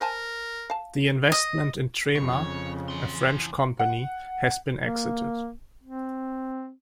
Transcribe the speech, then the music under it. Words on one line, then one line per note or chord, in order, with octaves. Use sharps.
The investment in Trema, a French company, has been exited.
A#4 C5 G#5 A5
F5 A5
D#5
F2 C#3 C#5
E3 C6
F#5
A#3
C4